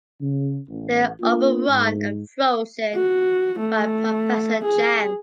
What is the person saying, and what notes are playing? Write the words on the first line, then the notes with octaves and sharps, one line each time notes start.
They’re overrun and frozen by Professor Chang.
C#3
A1
A#3 D4 F4
G#2
F#4
A3
G#4